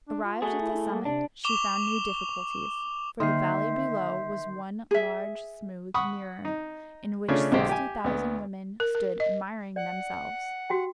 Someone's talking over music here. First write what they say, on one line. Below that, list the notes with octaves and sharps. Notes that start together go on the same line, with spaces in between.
Arrived at the summit she found new difficulties; for the valley below was one large smooth mirror, in which sixty thousand women stood admiring themselves.
D4
F4
A3 F#4 G#4
E4
A#3
C3 D4
C#6 D6 E7 F7 G7
D3 D#3 A#3 E5 C6 G6 C7
G#4 E5
F#5 B5 C#6 D#6
D#4
C#3 A3 D4 F4 C#5
B1 D3 G#3 G4 C5 G5
G4 G#5
D2 B3
A#4
A#4
D#5
D5 F#5
F#4 G4 G5